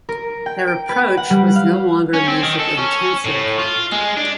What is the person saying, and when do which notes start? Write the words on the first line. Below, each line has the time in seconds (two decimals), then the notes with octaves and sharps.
Their approach was no longer music intensive.
0.09 A#4
0.46 G5
0.67 D7
0.89 B4
1.17 F#5
1.30 G3
1.56 F5
2.14 C#4
2.28 C4
2.43 D#3
2.60 A4
2.78 C#4
3.25 A2
3.58 F4
3.92 G#3
4.17 D4